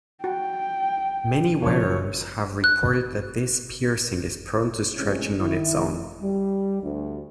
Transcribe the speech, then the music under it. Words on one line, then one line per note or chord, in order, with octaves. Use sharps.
Many wearers have reported that this piercing is prone to stretching on its own.
F#4 G5
C#3 F3 C#5
F#6
A2 C3 E3 G#3 C#4
D#3 E4
G3
D2